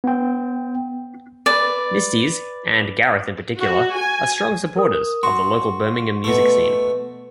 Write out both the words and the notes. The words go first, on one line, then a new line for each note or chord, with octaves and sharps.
Misty's, and Gareth in particular, are strong supporters of the local Birmingham music scene.
B3 G5
B4 D5
F#4
G#5
A#4 D#6
F#4 C6 C#6
B2 A3